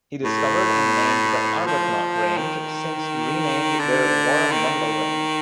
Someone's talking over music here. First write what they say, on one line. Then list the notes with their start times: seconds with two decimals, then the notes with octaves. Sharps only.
He discovered and named the Arbuthnot Range, since renamed the Warrumbungle Range.
0.24 A2
1.66 F3
2.37 D#3
3.79 D3
4.51 D#3